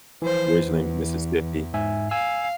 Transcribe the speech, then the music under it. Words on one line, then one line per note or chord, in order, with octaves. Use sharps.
originally Mississippi.
E3 F3 C5
E2
G#2 E5 G#5
F5 G#5 E6